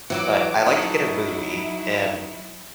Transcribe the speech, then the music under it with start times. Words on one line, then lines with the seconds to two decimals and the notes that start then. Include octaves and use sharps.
but I like to get a movie and,
0.10 E3 F#3 F#4 D6
0.66 F#3 D#4 E4 F#4 A4